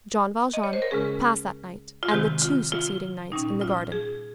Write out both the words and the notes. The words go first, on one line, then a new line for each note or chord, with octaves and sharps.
Jean Valjean passed that night and the two succeeding nights in the garden.
D#5
C#5
C5
A#4
C#3 G#3 C#4 G#4
F4
C3 D#3 G#3 C4 G4
F4
F4
A#2 G3 C#4 D#4
F4
G#4